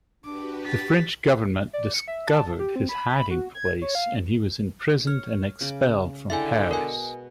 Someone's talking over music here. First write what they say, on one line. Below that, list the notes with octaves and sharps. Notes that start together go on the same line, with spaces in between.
The French government discovered his hiding-place, and he was imprisoned and expelled from Paris.
D4 F#4 G4 B4 D6
A6 B6
D5
C#7
E5
A5
G4
C4
B5
B5
F#4
G#6
C#5
F5
C#5 F6
C#3 D6
D3 G#3 E4 E5 G5 G#5
B2 A#4 D#5 F#5 G#5